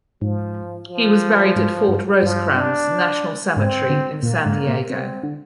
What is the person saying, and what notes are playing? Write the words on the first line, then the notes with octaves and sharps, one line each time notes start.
He was buried at Fort Rosecrans National Cemetery in San Diego.
G#2 F3
F3
G#2
G2
G2 F3
D4
G#2 C4
D3
A#2 A#3
G#2
A#2
C3 C4
D3